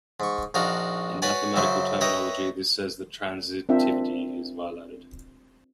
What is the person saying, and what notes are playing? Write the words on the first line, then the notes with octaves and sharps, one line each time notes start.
In mathematical terminology, this says that transitivity is violated.
G#2 C#6
A#1 D4 D#4 F#4 F5
F#4 B4 C#5 D5 F#5 G#5
F#2 C#3 F#3 C5 E5
B4 C#5 D#5 E5 G5 A#5
C4 D4 F4 A#4 E5 G5